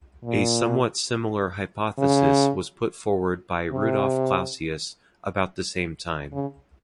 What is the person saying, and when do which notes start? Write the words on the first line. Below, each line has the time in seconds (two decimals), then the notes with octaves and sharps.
A somewhat similar hypothesis was put forward by Rudolf Clausius about the same time.
0.24 A#2
1.98 C#3
3.72 C3
6.32 C#3